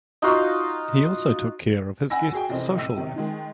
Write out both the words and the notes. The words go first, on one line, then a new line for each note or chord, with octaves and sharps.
He also took care of his guests' social life.
D#4 F4 F#4 F5
F#5 G#5 B5 E6 A#6
F#4 G#4 G5
F1 E3 C4 D#5
A2 E6 D#7
C3 D#3
D#3 G#3 D#4